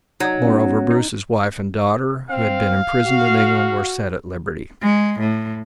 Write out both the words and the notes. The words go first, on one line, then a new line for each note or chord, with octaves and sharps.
Moreover, Bruce's wife and daughter, who had been imprisoned in England, were set at liberty.
F#3 D#4
B3 C#4
D#4
C4 F5
F#4
G#3
A2